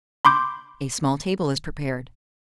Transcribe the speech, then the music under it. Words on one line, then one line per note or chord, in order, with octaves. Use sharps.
A small table is prepared.
B5 C6 D6 G6